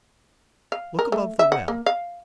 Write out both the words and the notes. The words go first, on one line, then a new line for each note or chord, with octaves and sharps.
Look above the web.
F5
A#4
A3
E5
F#5
A#3
F5